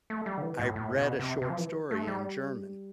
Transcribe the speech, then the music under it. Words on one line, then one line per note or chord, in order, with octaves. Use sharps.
I read a short story in German,
A3
G3
D3
E3
A2
A2
B2
C3
C3
F3
E3
A3
G3